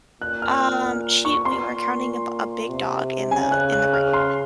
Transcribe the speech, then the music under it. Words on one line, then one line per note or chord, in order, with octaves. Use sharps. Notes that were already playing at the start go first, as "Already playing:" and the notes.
um, she we were encountering a b a big dog in the in the road,
A#2 F#6
F6
F6
C#6
A#2 C6
C3
C#3 G#5
F#6
F#6
F6
C6